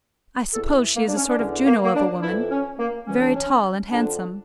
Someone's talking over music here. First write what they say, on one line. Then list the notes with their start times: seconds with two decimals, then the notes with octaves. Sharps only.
I suppose she is a sort of Juno of a woman,--very tall and handsome.
0.53 E2 A4
0.56 E3
0.95 A#3
1.08 D4
1.16 C#4
1.28 D4
1.38 E2 D3 C#4
1.66 A#3
1.84 A#3
1.94 D4
2.22 F2 E3 E4
2.51 C#4
2.78 A#3
3.07 C#2 C#3 E3 C#4
3.21 D4
3.35 C#4
3.91 F2 D3 D4